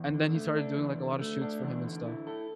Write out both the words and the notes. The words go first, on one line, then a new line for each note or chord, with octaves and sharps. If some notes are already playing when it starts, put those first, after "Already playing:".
and then he started doing, like, a lot of shoots for him and stuff,
Already playing: E2
D3
A3
D4
E2
D3
A3
D4
E2
D3
E4
A4